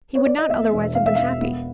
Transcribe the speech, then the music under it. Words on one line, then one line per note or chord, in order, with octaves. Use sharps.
He would not otherwise have been happy.
C#5
D5
D#5
E2 E5
E1
E1 F5
E5
F5
E1
B3